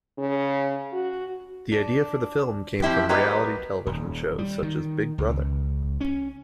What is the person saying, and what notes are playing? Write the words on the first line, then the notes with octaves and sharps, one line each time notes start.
The idea for the film came from reality television shows such as "Big Brother".
C#3
F#4
D4
F3 C4 E4 G4
F#3 G3 A#3 G4 B4 D#5
D#1
G3
D#3
C#2
C#4